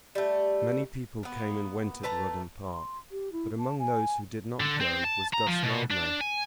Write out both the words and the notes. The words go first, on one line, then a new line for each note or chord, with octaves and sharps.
Many people came and went at Rudham Park, but among those who did not go was Guss Mildmay.
G3 A3
A#3 B3
A3 B4 A5 A#5
C6
G4
E4
A5
G#5
D3
C4
A5
A#5
F3
B2
D4
G#5